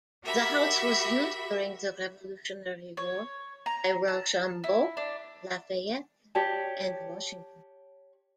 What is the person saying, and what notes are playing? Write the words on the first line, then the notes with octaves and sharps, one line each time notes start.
The house was used during the Revolutionary War by Rochambeau, Lafayette, and Washington.
F#4 G4 A#4 E5 B5
C#5
A#5
A5
E4
D4
G4 C#5 D5 A5